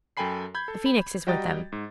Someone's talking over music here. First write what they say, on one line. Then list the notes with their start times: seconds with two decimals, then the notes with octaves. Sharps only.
The Phoenix is with them.'
0.17 F#2 A4 G5 G#5 B5 C7
0.55 B5 G6 G#6
0.68 A4
0.86 B5
1.27 G3 F#4 D#5 G5 A#5 A6
1.72 G#2